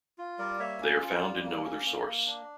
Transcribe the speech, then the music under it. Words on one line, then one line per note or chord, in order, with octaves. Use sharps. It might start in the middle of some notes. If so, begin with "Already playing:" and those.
They are found in no other source.
F4
G3 A#4 D5
A#3 C#5 E5
C#4
F4
G3
A#3
C#4
A#3
A#3
D4